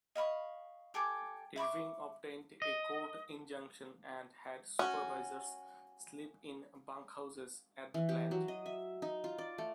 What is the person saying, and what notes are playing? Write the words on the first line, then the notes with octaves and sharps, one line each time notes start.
Irving obtained a court injunction, and had supervisors sleep in bunkhouses at the plant.
D#5 F5 B5 C#6
G4 A4 G#5 D6
E5 B5 C#6 D6
D#5
C#4 F#4
E3
G4
F#3
D#5
E5
D#4
F4
D5
A3